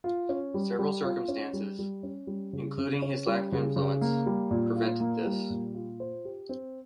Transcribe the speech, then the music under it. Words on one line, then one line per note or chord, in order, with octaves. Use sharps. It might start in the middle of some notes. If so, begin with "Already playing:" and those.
Several circumstances, including his lack of influence, prevented this.
F4
C#4
G3
G3
F4
C#4
G3
G3
C#4
G3
C#3
C#3
C#4
G3
C#3
C#3
A#3
G3
A#2
F4
A#3
G3
A#2
F4
C5
G4
C4